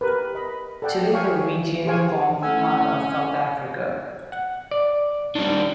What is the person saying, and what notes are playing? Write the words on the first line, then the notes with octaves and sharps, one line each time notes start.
Today the region forms part of South Africa.
G4 A#4 B4
D#5 B5
A4 D5 F#5 G5 A5
C#5 E5 F5 G5 G#5 C#6
G4 G#4 C5 F5 G#5 C#6
A3 C4 C#4 E4 F#5 G#5 E6
F#5
D5
D#3 G3 D4